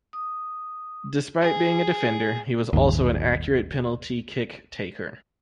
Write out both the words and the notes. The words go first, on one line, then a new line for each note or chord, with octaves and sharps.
Despite being a defender, he was also an accurate penalty kick taker.
D#6
G#4
D#1 G#1 D#2